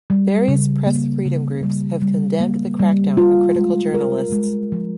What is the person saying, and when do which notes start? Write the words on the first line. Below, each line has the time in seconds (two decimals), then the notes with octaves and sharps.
Various press freedom groups have condemned the crackdown on critical journalists.
0.10 G3
0.48 C#3
0.87 A#3
1.25 C#3
1.63 G3
2.02 G3
2.40 A#3
2.79 G3
3.17 F4
3.55 G#3
3.94 A#4
4.32 G#3
4.72 F3